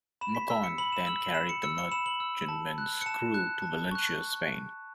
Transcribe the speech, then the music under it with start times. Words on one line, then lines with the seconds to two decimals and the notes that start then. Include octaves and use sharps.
"Macon" then carried the merchantman's crew to Valencia, Spain.
0.21 B5 E7
0.35 B6
0.50 E6 B6
0.64 C#7
0.78 B5 F#7
0.92 E7
1.06 E6 F#7
1.21 F#7
1.34 B5 E7
1.49 C#7
1.63 E6 C#7
1.78 C#7
1.92 B5 E7
2.06 F#7
2.20 E6
2.48 A5
2.78 F#6
3.01 C#7
3.06 A5 E7
3.34 F#6
3.62 A5
3.91 C#6 F#6